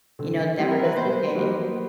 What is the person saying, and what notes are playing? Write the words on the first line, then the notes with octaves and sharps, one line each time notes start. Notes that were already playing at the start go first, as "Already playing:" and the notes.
you know, never does it again.
D3
G3 C4 E4
A#4
B4
B2 C5
G3 A#3 D#4 F#4